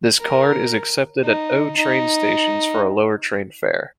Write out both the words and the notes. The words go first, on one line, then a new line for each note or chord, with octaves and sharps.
This card is accepted at O-Train stations for a lower train fare.
A#4
D#4
D#4